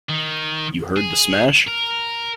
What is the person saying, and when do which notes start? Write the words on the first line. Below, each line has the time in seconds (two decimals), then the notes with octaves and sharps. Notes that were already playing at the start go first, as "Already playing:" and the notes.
You heard the smash?
0.09 D#3
0.97 G#4
1.67 A#4